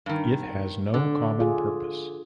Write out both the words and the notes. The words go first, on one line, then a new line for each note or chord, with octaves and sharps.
It has no common purpose.
G2 D#3
D3
F4 G#4